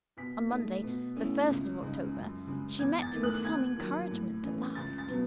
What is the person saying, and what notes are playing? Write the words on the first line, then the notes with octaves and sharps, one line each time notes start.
On Monday the first of October she met with some encouragement at last.
B2 B6
A3 D#4
B2
A3 C#4 E4
C#2
C#3 G#3 D#4
F#2
C#3 G#3
E2 G#6
A6
D#3 A3
F#6
D#2 G#6
D#3 F#3
A2
E3 A3 C#4
C#2 A6
A6
B2 F#3 B3